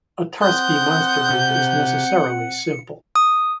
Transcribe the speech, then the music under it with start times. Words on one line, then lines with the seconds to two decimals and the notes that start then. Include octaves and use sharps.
A Tarski monster group is necessarily simple.
0.42 C4 F#5 C6 D#6 F#6 G6
1.30 C3
2.07 C#7
3.16 D#6